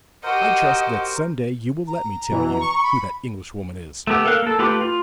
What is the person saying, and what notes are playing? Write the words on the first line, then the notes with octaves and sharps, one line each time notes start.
"I trust that some day you will let me tell you who that Englishwoman is."
F#4 G4 A#4 C5 D#5 F#5
A#5
B2 E3
C#6
B5
A3 B3 G4
A4 A#4 F5 F#6
A#3 A4
A3 F4 G4 B4 D6
F4